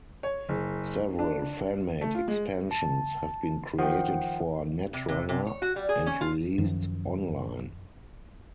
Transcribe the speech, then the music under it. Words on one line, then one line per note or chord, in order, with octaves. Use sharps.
Several fan-made expansions have been created for Netrunner, and released online.
C#5
F#1
D4
A3
F4
G#3
A5
D#3 F3 F#5 G5
C3
C3
C3
C#5
F#4
G3
G#4
C#4
F4
F#2 D#3 F3